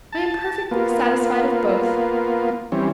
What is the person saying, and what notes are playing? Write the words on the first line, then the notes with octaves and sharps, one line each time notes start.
"I am perfectly satisfied of both."
A5
A#3 B3 F4
E3 G3 C4 C#4